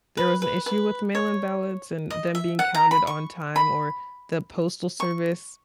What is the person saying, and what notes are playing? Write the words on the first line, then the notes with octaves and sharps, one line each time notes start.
there was an issue with mail-in ballots and them being counted on time or the postal service
B4
B4
B4
C#5
D#5
E5
F#5
A#5
B5
C#6
B5
C#6